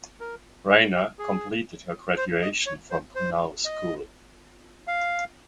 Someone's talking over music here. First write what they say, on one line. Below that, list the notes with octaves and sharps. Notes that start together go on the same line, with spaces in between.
Reiner completed her graduation from Punahou School.
A#4
G4
G#4
C5
D#5
C#5
C5
C5
D#5
F5